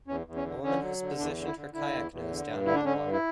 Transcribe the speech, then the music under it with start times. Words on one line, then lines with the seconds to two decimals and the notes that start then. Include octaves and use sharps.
A woman has positioned her kayak nose down in the water.
0.08 E2 C#4
0.27 E2
0.36 C#4
0.45 D3
0.63 D3 C#4
0.82 F#3
1.01 D3
1.19 E2 D4
1.37 D3
1.46 E4
1.56 D3
1.74 D3 E4
1.93 E2
2.11 E2
2.30 D3
2.48 G2
2.66 D3 E4
2.75 D4
2.85 D3 C#4
3.03 G2
3.13 E4